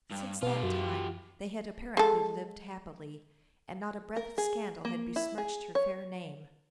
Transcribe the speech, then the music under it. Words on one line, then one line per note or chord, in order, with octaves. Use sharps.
Since that time they had apparently lived happily, and not a breath of scandal had besmirched her fair name.
G2
B2 F4 G4
F#2
G#3 A4
A#4
G#4
A#3
E4
G#4
C#5